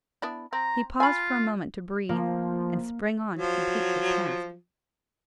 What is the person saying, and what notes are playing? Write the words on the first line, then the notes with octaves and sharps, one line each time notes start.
He paused for a moment to breathe, and sprang on to complete his task.
B3 D4 E4
C4 A#5
F4 G#5 B5
F3 A#3
F3 F#3